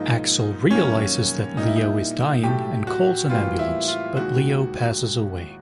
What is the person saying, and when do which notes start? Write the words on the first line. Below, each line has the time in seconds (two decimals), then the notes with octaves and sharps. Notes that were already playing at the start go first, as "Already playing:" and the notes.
Axel realizes that Leo is dying and calls an ambulance but Leo passes away.
Already playing: G#2 F3 A#3 D#4
0.70 F#2 D#3 G3 A#3 C#4
1.57 A#2 G3 A#3 D#4
1.67 E4
1.76 D#4
2.43 A2 F#3 A3 G4
2.87 F#4
3.30 A2 E3 G3 A#3 F4
3.59 E4
3.88 F4
4.16 D#2 D#3 G#3 F#4